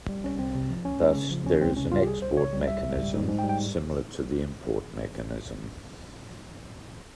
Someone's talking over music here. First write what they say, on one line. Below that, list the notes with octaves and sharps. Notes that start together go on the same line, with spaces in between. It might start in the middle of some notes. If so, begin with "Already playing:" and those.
Thus there is an export mechanism similar to the import mechanism.
G3
C2 C#4
C2 C4
C3
F3
C#2 C#4
G#3
C#3
F3
C#2 C#4
C#2 C4
C3 C#4
G3 F4
G4
C2 G#4
C2 C5
C#3 C#5
G3
C#2 E5
C#2
G3
G#2
G#2
G5
G3
G5